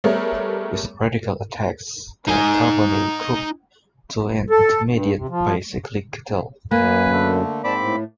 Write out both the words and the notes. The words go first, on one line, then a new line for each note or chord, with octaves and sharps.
This radical attacks the carbonyl group to an intermediate bicyclic ketyl.
G3 A3 B3 G#4 A#4 C#5
D#4 G#5
A4
G2
C3
F3
F#2 A#3 B4 G#5
D3 A3
G#2 C4 D5 A5 B5 D6
A2